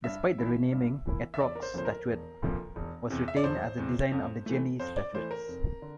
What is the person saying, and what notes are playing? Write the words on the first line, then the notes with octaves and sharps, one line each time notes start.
Despite the renaming, Etrog's statuette was retained as the design of the Genie statuettes.
G2 E5
E3 A#3 E4
G2
E3 A#3 E4
E5
E1 D5
A#4
C5
D2 C3 F3 A#3 C5
A#4
E1
D2 C3 F3 A#3
E1
E2 C3
E5
D5
E1 C5
E2 C3
F2
E3 A3
F2 C5
D5
E3 A3 C5
A#4
F1
D3